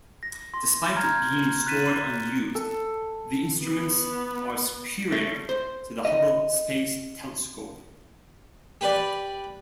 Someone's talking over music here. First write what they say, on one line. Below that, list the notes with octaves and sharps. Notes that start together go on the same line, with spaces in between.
Despite being stored unused, the instruments are superior to the Hubble Space Telescope.
A#6
C6 A#6
A#5 F6 G6 G#6
F#6 A6 B6 D#7 E7
A4
B3
A3
C5
D#5
G4 B4 D5